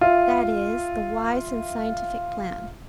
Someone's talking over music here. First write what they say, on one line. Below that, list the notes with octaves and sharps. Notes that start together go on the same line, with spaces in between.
That is the wise and scientific plan.
F4 E5